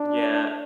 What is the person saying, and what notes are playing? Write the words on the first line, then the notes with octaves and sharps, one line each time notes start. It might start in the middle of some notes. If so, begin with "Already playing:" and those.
Mm yeah.
Already playing: D4